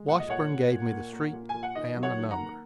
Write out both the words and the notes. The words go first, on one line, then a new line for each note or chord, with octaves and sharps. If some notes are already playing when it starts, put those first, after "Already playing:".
Washburn gave me the street and number.
Already playing: G#3
A#2 F#5
D#5
A#2 C#5 F#5
A#2
A#2
A#3
A#3
A#2
A#2 G#5
F#5
D#3 D#5
F#3
C#5 F#5
D#3
F#5 A#5
A#3